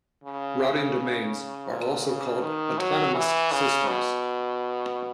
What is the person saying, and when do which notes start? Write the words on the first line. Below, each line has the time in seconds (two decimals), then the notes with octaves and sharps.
Routing domains are also called autonomous systems.
0.24 C#3
1.70 A#2
2.06 C#3
2.42 D#3
2.79 F#3
3.15 E3
3.52 C#3
3.88 B2